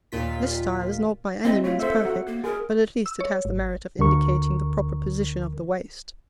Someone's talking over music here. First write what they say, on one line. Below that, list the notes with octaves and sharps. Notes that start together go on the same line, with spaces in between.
This style is not by any means perfect, but at least it has the merit of indicating the proper position of the waist.
D#2 A#2 F4 B6
C4 E4 D#5
A3 F4 C#5
A4 C5 E5
F#4 F#5
A#3
G#4 A#4
E6
C#5
G#1
D2 D3 A#4 C#6